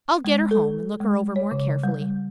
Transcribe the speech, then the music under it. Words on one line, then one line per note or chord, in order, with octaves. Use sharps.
"I'll get her home and look her over more carefully."
G#3
A4
G#3
C#5
C#3
G3